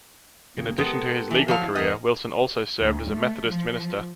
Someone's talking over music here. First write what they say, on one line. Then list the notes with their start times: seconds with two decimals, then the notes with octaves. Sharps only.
In addition to his legal career, Wilson also served as a Methodist minister.
0.57 D#2 C#3 A#3
0.78 G#3 B3 G4 A4 A#4
1.31 E3 D4
1.48 F3 F#3 F5
1.62 E4
1.75 E2 A#4 D#5 F#5 G#5
2.81 D2
3.11 A3
3.48 F3